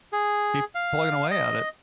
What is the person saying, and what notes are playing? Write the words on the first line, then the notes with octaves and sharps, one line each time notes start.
keep plugging away at it.
G#4
F5
D#5